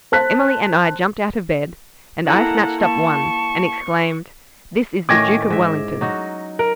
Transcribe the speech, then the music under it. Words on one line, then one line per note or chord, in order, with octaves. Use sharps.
Emily and I jumped out of bed, and I snatched up one and exclaimed, 'This is the Duke of Wellington!
C5 A5 F#6 B6
A#3 E4 A4 F#5 A5 A#5
A#3 A5 C#6
A2 D#3 C#4 D6 G#6 A#6
G#2 E5
F#3 D#4 F#4
A#4